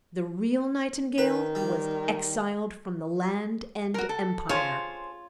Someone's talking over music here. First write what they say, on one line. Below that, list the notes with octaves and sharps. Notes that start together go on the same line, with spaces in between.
The real Nightingale was exiled from the land and empire.
D#3 B4
G3
F#4 A#4
A4
F4 G#4 C5 C#5